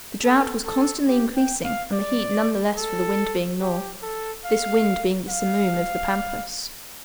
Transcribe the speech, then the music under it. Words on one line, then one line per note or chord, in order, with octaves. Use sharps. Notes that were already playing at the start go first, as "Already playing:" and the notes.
The drought was constantly increasing, and the heat none the less for the wind being north, this wind being the simoom of the Pampas.
A4
A4
G4
G5
F5
D5
A4
G4
A4
F5
F5